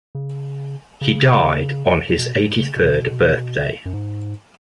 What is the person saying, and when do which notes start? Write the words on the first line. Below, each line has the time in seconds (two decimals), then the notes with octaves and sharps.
He died on his eighty-third birthday.
0.15 C#3
1.01 C#3
2.18 B2
2.38 G#2
2.58 C#3
2.76 B2
3.85 F#2
3.93 G#2